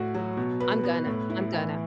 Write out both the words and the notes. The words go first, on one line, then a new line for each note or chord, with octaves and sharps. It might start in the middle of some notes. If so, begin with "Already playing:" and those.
I'm gonna. I'm gonna.
Already playing: A2 F#4
F#3
B2
B4
B3
A2
E4
E3